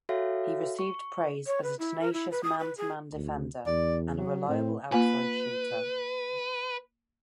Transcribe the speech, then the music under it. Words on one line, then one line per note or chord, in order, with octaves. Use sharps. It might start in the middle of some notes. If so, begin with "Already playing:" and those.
He received praise as a tenacious man-to-man defender, and a reliable outside shooter.
F#4 A4 C#5 E5 F5 G5
C#6
C#5
B4
E4
A#4
E4
B4
D#6
B4
G#4
D2
E2 D5
F#3
A2 C4
A#3 F4 B4 G#5